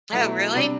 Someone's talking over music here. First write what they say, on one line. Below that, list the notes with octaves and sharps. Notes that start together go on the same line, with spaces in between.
Oh, really?
B2 F#3 A3 E4
C3 G3 D4